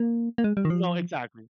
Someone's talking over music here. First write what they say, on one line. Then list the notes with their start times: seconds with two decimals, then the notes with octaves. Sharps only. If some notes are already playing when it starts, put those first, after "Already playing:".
No, exactly.
Already playing: A#3
0.38 A#3
0.44 G#3
0.57 G3
0.65 D#3
0.70 F3